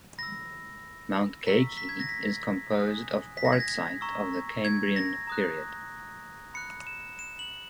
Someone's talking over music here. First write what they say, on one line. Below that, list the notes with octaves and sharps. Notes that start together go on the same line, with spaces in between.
Mount Geikie is composed of quartzite of the Cambrian period.
B5 E6 A#6
A#5 C#6 E6 B6
B6
G#6
A#6
B6
G#5 D#6 F#6
B6
A#6
G#6
A#6
A#5 C#6 E6
G#6
A#6
A#5 D#6 F#6
B5 F#6 C#7
E7
E7
F#7